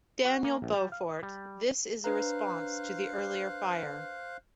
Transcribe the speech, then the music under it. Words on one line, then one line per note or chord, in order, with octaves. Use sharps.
Daniel Beaufort, this is a response to the earlier fire.
F#4
A#3
A#1
G3
F5
D#5
G3
D4 B4 C5 F5 A#5 F#6